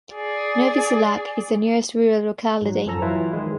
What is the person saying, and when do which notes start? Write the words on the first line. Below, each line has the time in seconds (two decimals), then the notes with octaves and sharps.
Novy Sulak is the nearest rural locality.
0.14 G#4 D5
2.62 G#2 F#3
2.86 F#2 F3 C#4 A4 A#5
3.02 E3 F#3 E4 F4 B4
3.33 D#3 F3 G#3